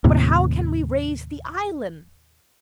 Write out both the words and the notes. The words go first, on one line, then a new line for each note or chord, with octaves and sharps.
"But how can we raise the island?"
D#2 A2 C3